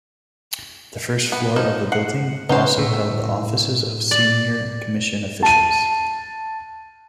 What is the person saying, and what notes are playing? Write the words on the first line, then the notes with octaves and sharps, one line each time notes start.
The first floor of the building also held the offices of senior Commission officials.
B3
F3 D#4
F#5 C7
C#3 C#4 D#4 B4 C5 F#5
A2
D5
A5 D#7